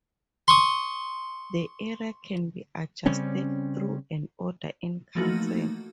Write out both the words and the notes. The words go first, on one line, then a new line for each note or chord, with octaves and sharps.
The area can be adjusted through an Order in Council.
C6 C#6 D#6
C#3 G3 C4 C#4
E3 F3 A3 A#3 D#4 F#4